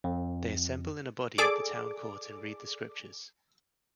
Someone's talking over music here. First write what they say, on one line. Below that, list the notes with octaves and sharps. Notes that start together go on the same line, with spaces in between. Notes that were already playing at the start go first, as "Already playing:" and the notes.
They assemble in a body at the Town Court and read the scriptures.
F2
G#4 A4 D5 D6